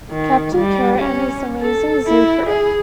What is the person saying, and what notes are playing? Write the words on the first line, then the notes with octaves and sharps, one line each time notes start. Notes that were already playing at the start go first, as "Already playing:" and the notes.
Captain Carrot and His Amazing Zoo Crew!
D#3
G3
C#4
A4
E4
G#4